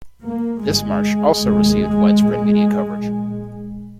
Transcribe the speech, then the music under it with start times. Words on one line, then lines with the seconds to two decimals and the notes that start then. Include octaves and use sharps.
This march also received widespread media coverage.
0.26 A#3
0.65 G1 G2 G#3
1.43 F1 D#2
2.22 A#1 A#2
3.00 A#1 A#2